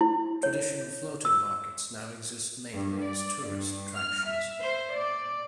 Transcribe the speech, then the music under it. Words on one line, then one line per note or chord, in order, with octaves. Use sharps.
Traditional floating markets now exist mainly as tourist attractions.
E4
C#5
E6
G2
D5
G2
F6
E5
C5
D5